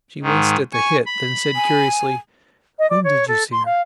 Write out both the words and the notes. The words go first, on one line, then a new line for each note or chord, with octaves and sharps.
She winced at the hit; then said curiously, "When did you see her?"
G#2 D#3
G#5 C#6
B5
G#5
D#5
D5
C#5
A4
C6
F5